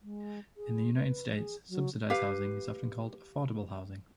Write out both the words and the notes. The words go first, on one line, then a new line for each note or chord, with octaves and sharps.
In the United States, subsidized housing is often called affordable housing.
G#3
G#4
B4
G#4
F#3
G4 B4 F5